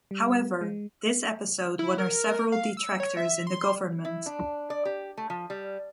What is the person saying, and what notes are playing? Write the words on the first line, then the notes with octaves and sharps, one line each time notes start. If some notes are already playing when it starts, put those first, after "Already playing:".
However, this episode won her several detractors in the government.
G3
G#3
E4
A#4
A#4
F5
E6
C#5
E5
C6
E4
D4
D5
G4
A3
F3
G3